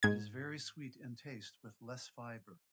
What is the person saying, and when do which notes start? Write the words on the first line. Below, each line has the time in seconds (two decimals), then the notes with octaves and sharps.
It is very sweet in taste with less fiber.
0.03 G#2 G#6